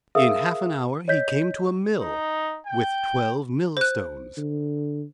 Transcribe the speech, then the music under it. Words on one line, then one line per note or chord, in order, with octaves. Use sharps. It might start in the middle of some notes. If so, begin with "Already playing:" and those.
In half an hour he came to a mill, with twelve millstones.
G#4 A#4 E5 F5 D#6 E6
C#5 D#5 G6 B6
D#4
G5
C5 F#6
D3